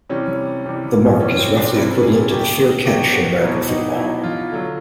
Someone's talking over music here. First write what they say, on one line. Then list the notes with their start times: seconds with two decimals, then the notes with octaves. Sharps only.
The mark is roughly equivalent to the fair catch in American football.
0.10 C3 E3 G3 C#4
0.66 C3 E3 G3
1.20 C3 E3 G3 C#4
1.39 C4
1.58 D4
1.75 C3 E3 G3 E4
2.03 G#4
2.31 B2 F#3 G4
2.85 B2 F#3 G4
3.13 F#4
3.41 B2 F#3 E4
3.68 D#4
3.96 B2 F#3 E4
4.23 F4
4.52 D3 F#3